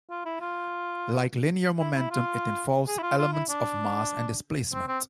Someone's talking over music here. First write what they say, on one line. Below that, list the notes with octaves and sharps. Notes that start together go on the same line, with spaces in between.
Like linear momentum it involves elements of mass and displacement.
F4
E4
F4
E4
E4
F4
G#4
E4
F4
F4
E4
D4
C4
C4